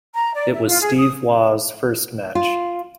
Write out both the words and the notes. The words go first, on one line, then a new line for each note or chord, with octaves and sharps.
It was Steve Waugh's first match.
A#5
D5
E5
F4
G#4
D#6
F4